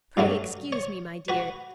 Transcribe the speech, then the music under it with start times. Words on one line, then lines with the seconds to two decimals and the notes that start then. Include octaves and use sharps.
Pray excuse me, my dear.
0.17 G2 F#3 A3 C#4
0.72 C#5
1.28 F#4 B4